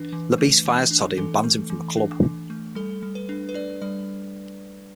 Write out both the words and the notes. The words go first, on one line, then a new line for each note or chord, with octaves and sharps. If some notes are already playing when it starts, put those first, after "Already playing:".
Labisse fires Toddy and bans him from the club.
Already playing: E3 D4 B4
E3
A3
E3
D4
E3 A4
A3
E3
D4
E3
A3
G3 A4
G3
B4
D4
B4
D4 D5
G3 D5